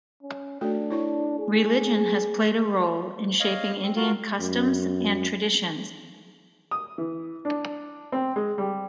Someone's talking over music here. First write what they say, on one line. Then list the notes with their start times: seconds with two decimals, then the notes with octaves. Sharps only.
Religion has played a role in shaping Indian customs and traditions.
0.22 C#4
0.61 A3 D4 F#4 A4
0.91 E4 C#5 C#6
1.39 G#4
3.40 C#5 D#5 F5
3.83 C4
3.96 F4 F#4 A#4 F5
4.39 F#2
6.71 D#6
6.98 E3
7.45 D4
8.12 C4
8.36 G#3
8.58 G3